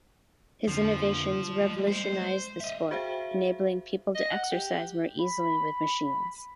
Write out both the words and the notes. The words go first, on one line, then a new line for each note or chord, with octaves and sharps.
His innovations revolutionized the sport, enabling people to exercise more easily with machines.
F2 D3 F3
G3 G#3
C5
D#5 E5
F#4 G#4 C5 E5 F5 G5
D#5
F#5
G4
B5